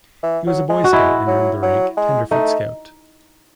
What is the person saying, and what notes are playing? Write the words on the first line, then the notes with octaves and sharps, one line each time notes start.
He was a Boy Scout and earned the rank of Tenderfoot Scout.
E3
F#3
G#3
F#4
G#3 E4
F#3
F#3
G#3
A3 D#4